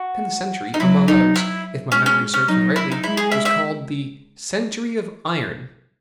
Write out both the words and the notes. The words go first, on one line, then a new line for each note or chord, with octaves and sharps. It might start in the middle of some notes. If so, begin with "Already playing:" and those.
The tenth century, among others, if my memory serves me rightly, was called the CENTURY OF IRON.
Already playing: F#4
D#4
F#3 E4
D#4
E4
G#3 C#4
C#4
C#4
F#3 D#4
E4
D#4
G#3 E4
G#4
E4 E5
E4 E5